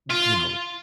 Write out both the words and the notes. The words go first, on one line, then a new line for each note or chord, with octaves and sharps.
n you know
F4